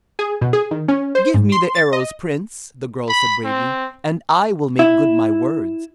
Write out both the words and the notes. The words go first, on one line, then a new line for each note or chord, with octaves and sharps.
"Give me the arrows, Prince," the girl said, bravely, "and I will make good my words."
G#4
B2
G#4
D#3
C#4
C5
G#2
C6
A6
D#5
B5
C4
E4